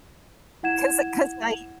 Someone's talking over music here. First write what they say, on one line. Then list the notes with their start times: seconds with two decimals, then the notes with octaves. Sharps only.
'Cause I 'cause I,
0.63 E4 F#5 G#6 E7